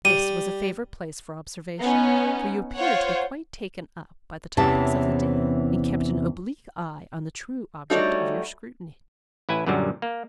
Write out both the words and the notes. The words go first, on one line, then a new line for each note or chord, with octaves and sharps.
This was a favourite place for observation, for you appeared to be quite taken up by the topics of the day, and kept an oblique eye on the true object of your scrutiny. . . .
G3 D#7
B3 C#4 D#4
F4 C5 C#5 F#5
E2 C3 E3 C#4 A5
G3 A3 D#4 F#4 C#5 D5
A1 E4 B4 G#5
F#2 A#2 D3 F#3 G3
A#3